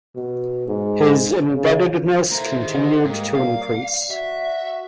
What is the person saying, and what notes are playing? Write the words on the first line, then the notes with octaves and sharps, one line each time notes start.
His indebtedness continued to increase.
B2
G#2
C#3
A#3 E4 A4 C5 A#5
D#3 G4 G#4 D#5
G#2 G3 A#3 D#6
D5 F5
F#4 E5